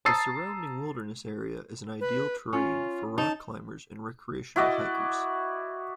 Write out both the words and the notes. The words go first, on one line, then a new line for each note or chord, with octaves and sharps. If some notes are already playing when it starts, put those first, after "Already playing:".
The surrounding wilderness area is an ideal terrain for rock climbers and recreational hikers.
A5 A#5 D#6 E6 A6 C7
B4
C#4 F4
D#4 A5
E4 F#4 D5 D#5